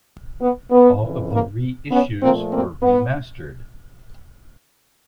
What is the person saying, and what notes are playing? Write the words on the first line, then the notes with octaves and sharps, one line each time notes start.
All of the reissues were remastered.
B3
B3
F2 C#3 E3
A#3
B3 C#4
A#2 F3 A3 A#3 C4
A#3 C4
B3